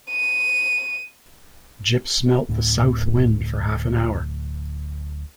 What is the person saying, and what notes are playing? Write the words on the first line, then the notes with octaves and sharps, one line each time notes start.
Jip smelt the South wind for half an hour.
D#7
D1 A2 D3